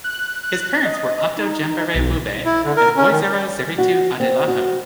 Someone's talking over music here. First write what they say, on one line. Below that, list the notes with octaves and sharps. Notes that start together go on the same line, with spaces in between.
His parents were Ato Jenbere Wube and Woizero Zeritu Adelahu.
F#6
F#6
D#5
D#4
B1
E4
D3
A#4
C#4
D#3
F#4
C4
F#4